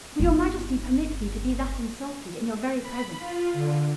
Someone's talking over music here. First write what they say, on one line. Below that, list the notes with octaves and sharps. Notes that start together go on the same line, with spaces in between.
"Will your majesty permit me to be thus insulted in your very presence?"
G1 D#4
B5
F4
D3